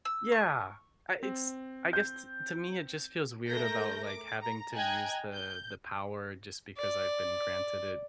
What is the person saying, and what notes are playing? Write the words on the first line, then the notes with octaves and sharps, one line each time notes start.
Yeah. I it's I guess, t to me, it just feels weird about, like, having to use the the power just because I've been granted it.
E6
C#6
C4
G6
A3 A#4 G6 A#6
D6
A#5
D#5 G5 G#5 A#5 F#6 G#6
G6
D5